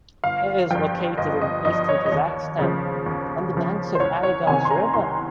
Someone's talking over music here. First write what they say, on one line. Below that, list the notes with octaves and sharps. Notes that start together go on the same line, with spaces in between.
It is located in eastern Kazakhstan, on the banks of the Ayagoz River.
G1 F5
G2 F3 G5
G1 D#5
D#5
G2 F3 D#5
C#5
D#5
D#2 C#5
C#3 F3
D#2
C#3 F3
C5
C2 C#5
C#5
C3 D#3 G#5
C6
A#5
C2 C6